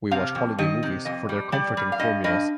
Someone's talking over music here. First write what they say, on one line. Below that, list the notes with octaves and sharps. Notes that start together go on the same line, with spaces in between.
We watch holiday movies for their comforting formulas.
C3 F5
F2
D#3 D#5
C3
F2 D#5
G3
G3 D5
G3
F5
G2 D#5
G2 D#5